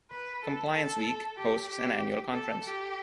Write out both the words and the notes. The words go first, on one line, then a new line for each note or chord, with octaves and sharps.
"Compliance Week" hosts an annual conference.
B4
A4
A4
G4
G4
A4
G4